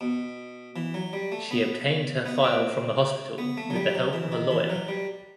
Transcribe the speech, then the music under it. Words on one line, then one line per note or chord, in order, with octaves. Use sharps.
She obtained her file from the hospital with the help of a lawyer.
B2
E3
F#3
G3
A3
B3
B3
C4
B3
A3
F#3
G3
F#3
E3
D#3
E3
F#3
G3